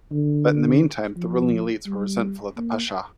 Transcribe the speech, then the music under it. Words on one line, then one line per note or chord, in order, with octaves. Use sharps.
But in the meantime, the ruling elites were resentful of the Pasha.
D3
F3
G3
A#3